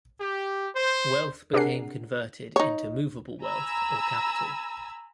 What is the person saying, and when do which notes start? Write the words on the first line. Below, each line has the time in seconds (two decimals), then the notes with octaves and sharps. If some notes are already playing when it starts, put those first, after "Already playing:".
Wealth became converted into movable wealth or capital.
0.20 G4
0.75 C5
1.53 C3 D4 G#4 A#4 F#5 C7
2.56 D#4 C#5
3.41 G#5 A#5 B5 E6